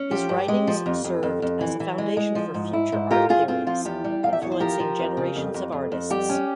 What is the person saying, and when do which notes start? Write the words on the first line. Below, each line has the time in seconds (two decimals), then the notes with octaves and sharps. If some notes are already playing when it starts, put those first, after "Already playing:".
His writings served as a foundation for future art theories, influencing generations of artists.
Already playing: C#4
0.11 F3 G4
0.29 G2
0.48 G#3
0.67 F3
0.86 F2
1.04 F2
1.23 F2
1.42 F2
1.61 E3
1.80 E3
1.98 G#3
2.17 G#3
2.35 F3
2.54 G#2
2.73 E4
2.92 G#2
3.11 F4 G4 A#4
3.29 G2 F4 G#4
3.48 C4 F4 G#4
3.67 F3 F4
3.85 E2 G4
4.04 G3
4.23 E2 F5
4.33 E5
4.42 E2 C#5
4.52 C5
4.60 F3 G4 A#4
4.80 F3
4.99 F2
5.17 C#3
5.36 F2
5.54 F2
5.72 F2
5.92 F2
6.10 G3 G4
6.29 C#4